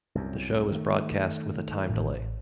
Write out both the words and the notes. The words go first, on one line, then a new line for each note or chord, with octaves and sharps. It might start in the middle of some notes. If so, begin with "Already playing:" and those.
The show is broadcast with a time-delay.
C2 F#2
D#3 A3
A1